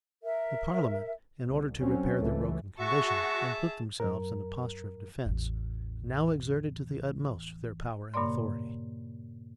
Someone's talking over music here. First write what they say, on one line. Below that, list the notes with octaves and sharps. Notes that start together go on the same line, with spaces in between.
The parliament, in order to repair their broken condition, and put themselves in a posture of defence, now exerted to the utmost their power and authority.
A#4 E5
C2
D2 F#3 C4 C#4
C#2 E3 A3
F#4 G#4 E5 A5 C#6
F#2 A#4
A1 E2
G2 A#2 C#3 A#3 D5 C6